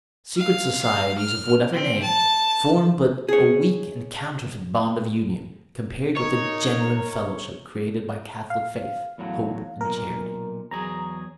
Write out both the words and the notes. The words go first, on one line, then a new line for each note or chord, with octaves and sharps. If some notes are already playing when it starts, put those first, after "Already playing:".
Secret societies, of whatever name, form but a weak and counterfeit bond of union compared with the genuine fellowship created by Catholic faith, hope and charity.
F5
F5
F6
C4
A5
G#4 C#5
D#4 A#4 C#5
F5
E2 A2 F#3
B1 A#2 A#4
E2 F#3 G#4 A#5